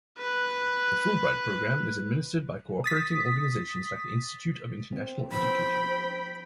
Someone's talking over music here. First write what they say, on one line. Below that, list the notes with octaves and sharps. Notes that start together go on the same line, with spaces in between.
The Fulbright Program is administered by cooperating organizations like the Institute of International Education.
B4 F#6
D#6 A6 B6
C4
F3 B3 C5 G5 B5